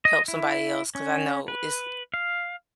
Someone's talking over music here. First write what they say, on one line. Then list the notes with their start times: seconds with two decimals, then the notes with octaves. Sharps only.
help somebody else- 'cause I know it's
0.05 D#5
0.28 E4
0.95 C#4
1.48 B4
2.14 F5